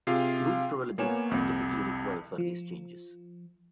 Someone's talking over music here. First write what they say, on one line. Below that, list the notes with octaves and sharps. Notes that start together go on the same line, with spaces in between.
Root privileges are typically required for these changes.
C3 F4 G#4 F5 C7
A#2 A#3 B3 C#5 G#5 E7
C2 F2
F3